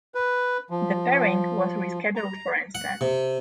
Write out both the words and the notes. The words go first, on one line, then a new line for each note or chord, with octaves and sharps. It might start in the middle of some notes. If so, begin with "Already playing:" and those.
The pairing was rescheduled for instead.
B4
F3
A#5
F#5
C3